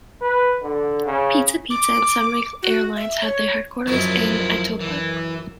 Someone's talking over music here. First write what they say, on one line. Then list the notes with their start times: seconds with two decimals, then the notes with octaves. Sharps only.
Pizza Pizza and Sunwing Airlines have their headquarters in Etobicoke.
0.22 B4
0.62 D3
1.06 C#3
1.70 D6
2.62 F#4
2.96 E5
3.22 C#5
3.87 F#2 D#3 F3 E4 C#6
4.80 E3